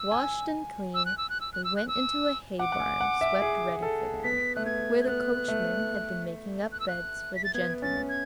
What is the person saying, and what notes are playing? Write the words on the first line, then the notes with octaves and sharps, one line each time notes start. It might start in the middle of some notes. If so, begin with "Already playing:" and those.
Washed and clean, they went into a hay-barn swept ready for them, where the coachman had been making up beds for the gentlemen.
Already playing: E6
G#5
E6
F#6
E6
F#6
E6
F#6
E6
F#6
E6
F#5 D6
F#5
G#5
F#5
E5
G#4
A4
B3 B6
A3 F#6
B3 G#6
G#6
B3 F#6
A3
F#6
E6
F#6
B6
A6
B3 G#6
C#4 A6
G#6